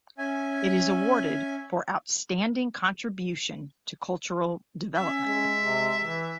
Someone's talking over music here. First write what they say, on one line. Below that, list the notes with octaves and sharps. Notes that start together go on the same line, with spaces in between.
It is awarded for "outstanding contribution to cultural development".
C#4 E5 G#5
C#4 E5
G#3
C3
E3